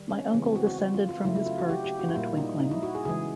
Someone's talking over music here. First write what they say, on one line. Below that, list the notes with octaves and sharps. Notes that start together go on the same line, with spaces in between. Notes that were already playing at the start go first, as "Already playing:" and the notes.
My uncle descended from his perch in a twinkling.
Already playing: D#3 G3
C#4
C#3 E3 G#3 B3
C4
F#4
F#4
F#4
F4
F4
C#3 F#3 A3 E4
E4
F4
F#4
G4
G4
F#4
E4
A#2 G3 A#3 F4
D#4
D#4
E4
F#4
G#4
C#3 E3 G#3 G#4